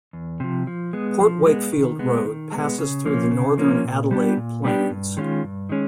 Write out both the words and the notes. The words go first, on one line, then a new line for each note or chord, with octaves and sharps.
Port Wakefield Road passes through the northern Adelaide Plains.
E2
C3 F3
F3
G#3 B3
F3
G#3 B3
D#3
G#3 B3
D#3
G#3 B3
C#3
F3 A#3 C#4
C#3
F3 A#3 C#4
A#2
G3 B3 D4 G4
A#2
G3 B3 D4 G4
G2
D#3 G#3 C#4 F4
G2
D#3 G#3 C#4